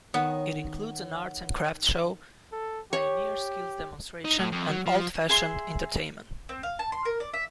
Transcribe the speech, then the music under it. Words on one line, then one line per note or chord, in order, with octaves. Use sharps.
It includes an arts and craft show, pioneer skills demonstration, and "old-fashioned" entertainment.
D#3 B3 C#5 F#5
A4
G4 C#5
D#4
A2
F2
F#3
F3
G#4 E5 C6
C4
F5
A5
C6
A#4
D5
E5